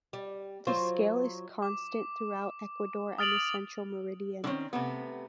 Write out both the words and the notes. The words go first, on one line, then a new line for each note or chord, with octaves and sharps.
The scale is constant throughout Ecuador and the central meridian.
G3
F#3 F4 C5
D6
D#6 F6 A6 D7 F7 F#7
D3 D#3 A3 C4 C#4
C3 A3 B3